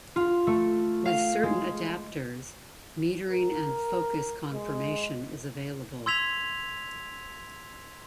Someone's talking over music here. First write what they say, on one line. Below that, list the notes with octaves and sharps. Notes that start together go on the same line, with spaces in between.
With certain adaptors, metering and focus confirmation is available.
F4
A3
F5
G#3
A#4
G#3
C6 E6 G#6 B6 F7